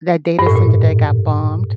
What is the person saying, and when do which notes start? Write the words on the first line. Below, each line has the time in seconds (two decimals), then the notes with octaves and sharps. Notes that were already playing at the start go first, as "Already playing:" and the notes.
That data center that got bombed,
0.39 G2
0.47 A2
0.56 A#2